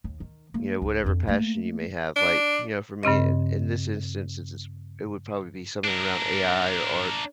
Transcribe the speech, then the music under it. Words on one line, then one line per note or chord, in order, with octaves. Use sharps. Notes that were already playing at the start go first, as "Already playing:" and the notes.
you know, whatever passion you may have, like, you know, for me, i in this instance, it's just it would probably be something around AI or art,
D#2
D#3
G#3 A#3
C#2
F2 D4
A3 A#3
D4
G2 C#3 C4 D#5
D4 A#4